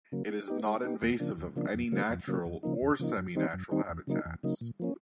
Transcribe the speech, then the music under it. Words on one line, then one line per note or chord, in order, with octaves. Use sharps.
It is not invasive of any natural or seminatural habitats.
C#3 F#3 A#3
G#3
B3 D#4 G4
G#3
B3 D#4 G4
D#2
C#3 F3 A#3 D4
D#2
C#3 F3 A#3 D4
F2
C#3 F#3 A#3
F2
C#3 F#3 A#3
E2
C#3 F3 A#3 D#4
E2
C#3 F3 A#3 D#4
F#2
D#3 G3 C4 D#4
F#2
D#3 G3 C4 D#4
E2
C#3 F#3 A#3 D#4
E2
C#3 F#3 A#3 D#4
A#2
F3 A#3 C#4